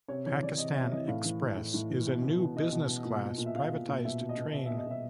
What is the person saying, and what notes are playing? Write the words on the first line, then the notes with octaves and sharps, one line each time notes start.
Pakistan Express is a new business class privatized train.
C3 C#5
E3 C#5
E3 D5
C3 D#5
C3 E5
E3 D#5
A2 F5
E3
E3
A2
A2
E3
B2
B2
B2
B2 D#5
B2
B2
A#2
A#2
A#2
E5
A#2 F5
A#2
A#2
B2 E5
B2
D#5
B2
B2 E5
E5
B2
D#5
B2 E5